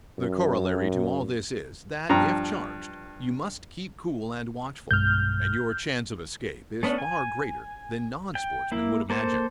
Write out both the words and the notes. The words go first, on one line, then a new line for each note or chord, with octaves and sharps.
The corollary to all this is, that, if charged, you must keep cool and watchful, and your chance of escape is far greater than non-sportsmen would imagine.
F#2
G2 F3 A#5
B1 G2 G#3 F6 G6
A3 B3 C#4 D4
G#5
G5
A#3 E4
A#3 A4 C5